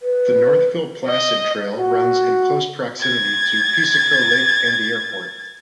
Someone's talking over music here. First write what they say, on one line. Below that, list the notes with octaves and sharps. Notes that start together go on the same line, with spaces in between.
The Northville-Placid Trail runs in close proximity to Piseco Lake and the airport.
B4
D#5
F#4
G#6 A6